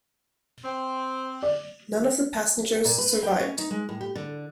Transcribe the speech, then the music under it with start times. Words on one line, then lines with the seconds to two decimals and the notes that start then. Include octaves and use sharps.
None of the passengers survived.
0.64 C4
1.43 D5
2.85 A#2
2.98 B4
3.23 G5
3.40 C#4
3.58 D#4
3.71 G#3
3.89 A2
4.01 G4
4.16 D3